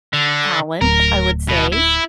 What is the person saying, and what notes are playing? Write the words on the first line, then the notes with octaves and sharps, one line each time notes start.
talent, I would say,
D3
D1 A#4
B2
E4